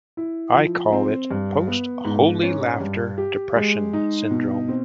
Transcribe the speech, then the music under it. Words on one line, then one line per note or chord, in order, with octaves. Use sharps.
I call it post-Holy Laughter depression syndrome.
E4
F3
C4
G2
B3
G#2
C#4
G2
G4
G#3
D#4
B2
C4